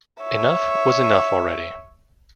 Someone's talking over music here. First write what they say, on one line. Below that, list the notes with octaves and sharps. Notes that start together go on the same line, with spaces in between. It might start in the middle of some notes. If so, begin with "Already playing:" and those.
Enough was enough already.
C#5 E5